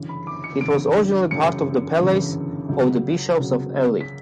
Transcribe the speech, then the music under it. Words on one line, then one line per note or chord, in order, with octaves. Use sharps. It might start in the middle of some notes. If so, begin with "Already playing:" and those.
It was originally part of the palace of the bishops of Ely.
Already playing: G1 F#2 C#3 E3
B5
D6
C#7
G1 F#2 C#3 E3 D7
G1 F#2 C#3 E3 C#7
G1 F#2 C#3 E3
C#2 C#3 F#3
C#2 C#3 F#3
B6